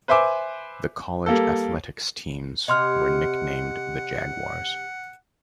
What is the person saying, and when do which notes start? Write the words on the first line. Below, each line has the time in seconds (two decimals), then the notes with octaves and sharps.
The college athletics teams were nicknamed the Jaguars.
0.08 B4 C5 E5 G#5 D6
1.26 G3 A#3 A4
2.68 C3 G4 D#5 F#5 C6 F6